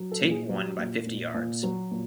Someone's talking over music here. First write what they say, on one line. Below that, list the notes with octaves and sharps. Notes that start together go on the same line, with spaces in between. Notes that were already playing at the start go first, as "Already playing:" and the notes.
Tait won by fifty yards.
Already playing: F#3
A4
A#2
G#4
F#3 G4
A#2
A#2
A#2
F#3 F#4
A#2